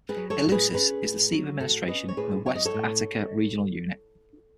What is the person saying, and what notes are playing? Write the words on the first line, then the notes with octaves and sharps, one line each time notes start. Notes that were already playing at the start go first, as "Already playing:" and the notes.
Eleusis is the seat of administration of West Attica regional unit.
G#4 B4
F#3
A4 C#5
A2
G#4 B4
C#4 G#4 B4
A2
F#3
A2 F#4 A4
C#4 B4 D#5
C#5
A2 G#4 B4
F#3 C#5
D#5
A4 C#5
A2